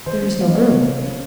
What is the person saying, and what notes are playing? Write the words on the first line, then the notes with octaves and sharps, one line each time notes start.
"There is no room."
D#3 C5
C#4
A#3 F5
D#5
C4 C#5
C3
C3
C#4